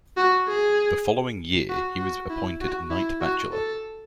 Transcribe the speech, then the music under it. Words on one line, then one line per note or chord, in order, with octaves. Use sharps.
The following year he was appointed Knight Bachelor.
F#4
G#4
F#4
F#4
E4
F#4
E4
F#4
A4